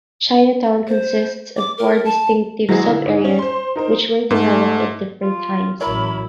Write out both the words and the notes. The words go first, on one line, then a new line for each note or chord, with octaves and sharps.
Chinatown consists of four distinctive sub-areas which were developed at different times.
C5
D6
A#4
A5
F#3 G#3 A#3 E4 F#4 G#4
D3 E4
G#2
C#4
C5 C6
D#4 A#4 C5
G#2 A3
F4
A1 F#3 E4 A#4 C#5 B5